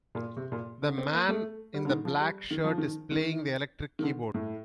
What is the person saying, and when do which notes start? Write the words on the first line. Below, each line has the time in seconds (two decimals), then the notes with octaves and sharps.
The man in the black shirt is playing the electric keyboard.
0.15 A#2
0.37 C3
0.52 A#2
0.82 D3
0.98 C4
1.14 A#3
1.29 A3
1.74 G3
1.85 D3
1.90 D#3
2.05 F3
2.20 G3
2.51 D#3
2.64 F3
2.78 D#3
3.11 D#3
3.99 D#3
4.03 D3
4.34 A2